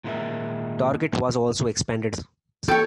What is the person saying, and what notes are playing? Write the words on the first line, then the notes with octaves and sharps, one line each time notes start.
Target was also expanded in size.
A#2 D#3 G#3 E4 A#4 E5
A4 C#5 G5